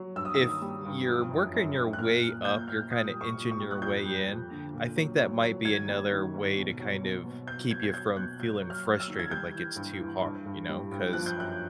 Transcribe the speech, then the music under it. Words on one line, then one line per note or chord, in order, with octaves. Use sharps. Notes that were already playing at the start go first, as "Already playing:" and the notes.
if you're working your way up, you're kinda inching your way in, I think that might be another way to kind of keep ya from feeling frustrated, like, it's too hard, you know? 'Cause,
Already playing: F#3
G2 E6
D#6
D#3 E6
G3
G2
F3
F#2
F#2
F#2
F#6
A#2 F6
A#2
A#2 G6
A#2 F6
A#2 D#6
G3
C#6
A#2
C#6
G3
F#6
F2 G6
G3
F2
D3
A#2
F#3
F#3
F#3
D#3 G#6
G3
D#3
G#2
B2
F#3
B2
B2
F#3 G6
B2 G#6
G#6
F#3 G6
B2 F#6
F#3 G6
F#3
F6
F#3
E6
D#3
G#6
G3 G6
E3
G2
E3
G2
G2
G3
G2
F3 F#6
G6
F#2 F#6